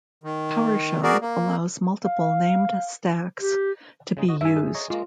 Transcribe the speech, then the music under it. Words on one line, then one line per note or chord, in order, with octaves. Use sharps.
PowerShell allows multiple named stacks to be used.
D#3
F#4 G#4 A#4 D5
A#3
F5
G4
C#3 G#3 D#4
F#4 D#5
G2 E5 G#5
G#4
C#5 D#5 A#5
G#3 A#3 F4